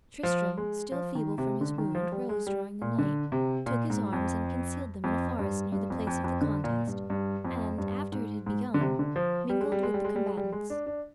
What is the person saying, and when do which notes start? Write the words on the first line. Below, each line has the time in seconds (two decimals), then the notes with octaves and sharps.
Tristram, still feeble from his wound, rose during the night, took his arms, and concealed them in a forest near the place of the contest, and, after it had begun, mingled with the combatants.
0.23 F3
0.57 G#3
0.92 F3
1.15 D#3
1.38 C3
1.61 D3
1.78 D#3
1.95 F3
2.12 G3
2.29 G#3
2.47 G3
2.82 A#2
2.98 D3
3.32 C3
3.66 A#2
3.90 G#2
4.13 F2
5.04 F2
5.39 G2
5.72 G2
5.90 F2
6.07 F2
6.24 F2
6.41 D3
6.64 A#2
6.87 G2
7.10 G2
7.45 F2
7.78 G2
8.12 G#2
8.46 G#2
8.74 D3
8.81 C3
8.99 D3
9.16 F3
9.50 G3
9.61 G#3
9.72 G3
9.83 G#3
9.94 G3
10.05 G#3
10.16 G3
10.27 G#3
10.37 G3
10.52 G#3
10.70 D4
10.87 D4